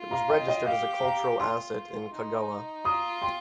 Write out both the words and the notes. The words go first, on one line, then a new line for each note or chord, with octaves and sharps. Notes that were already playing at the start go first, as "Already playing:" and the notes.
It is registered as a cultural asset in Kagawa.
Already playing: F4
F5 A#5
D#5 G5
D#5 G5
G4 F5
F5 A#5
F4 G5 C6
D#4
F4 A#5 D#6
G5 C6